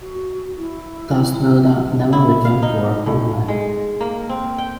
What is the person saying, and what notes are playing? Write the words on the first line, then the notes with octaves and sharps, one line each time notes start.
Thusnelda never returned to her homeland.
F#4
E4
E4
F5
D#4
A2
G#3
A#3
C4
G5